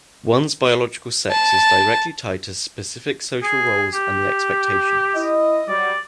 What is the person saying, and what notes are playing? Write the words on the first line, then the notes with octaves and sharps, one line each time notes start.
One's biological sex is directly tied to specific social roles and the expectations.
A5
G#4
G4
E4 D#5
F#3 G3 D5